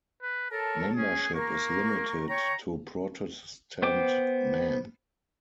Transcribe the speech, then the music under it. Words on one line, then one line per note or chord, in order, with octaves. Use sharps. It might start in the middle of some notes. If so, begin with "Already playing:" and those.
Membership is limited to Protestant men.
B4
A4 A#4 C#5 A5
C#4 G#4
A#3 A#4 C#6
C#5 G5 A#5 C#6
B3 C5 G5 D6